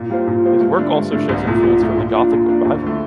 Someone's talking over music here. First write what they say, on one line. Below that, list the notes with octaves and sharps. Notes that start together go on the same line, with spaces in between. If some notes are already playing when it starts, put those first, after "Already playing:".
His work also shows influences from the Gothic Revival.
Already playing: A#2
G3 A#3 F4 C5
A#2
G3 A#3 F4 C5
G2
D3 A3 D4
G2
D3 A3 D4
C2
A#2 F3 A3
C2
A#2 F3 A3
A#2
F3 A#3 D4
A#2
F3 A#3 D4
D2
D3 A3